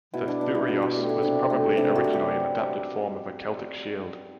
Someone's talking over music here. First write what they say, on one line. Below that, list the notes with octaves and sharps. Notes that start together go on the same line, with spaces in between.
The "thureos" was probably originally an adapted form of a Celtic shield.
B2 E4
D4
B2 D4
E4
B2 F#4
G4
A3 G4
E4
C3 D4
A3
C3 D4
F#4
C3
G4